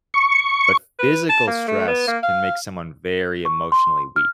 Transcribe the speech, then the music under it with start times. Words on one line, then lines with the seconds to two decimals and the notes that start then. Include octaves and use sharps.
but physical stress can make someone very emotionally weak,
0.14 C#6
0.99 B4
1.29 A5
1.48 A#3
1.68 A3
1.87 B3
2.08 A#3
2.23 F5
3.45 C#6
3.72 C6
4.16 F6